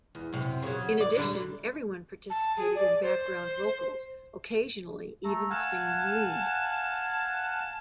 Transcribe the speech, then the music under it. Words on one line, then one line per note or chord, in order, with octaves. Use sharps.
In addition, everyone participated in background vocals, occasionally even singing lead.
E2
F#2 C3
C#3 F#3
D5
D3 G3 D4
A5
G#4
D5
C5
A3 A4 A#5
F5 F#5 G#5 A5